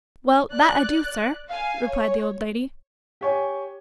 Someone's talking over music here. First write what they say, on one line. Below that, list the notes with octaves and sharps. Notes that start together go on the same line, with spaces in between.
'Well, that I do, sir,' replied the old lady.
D5 F#6
F5 G#5
C#5
G4 C#5 G#5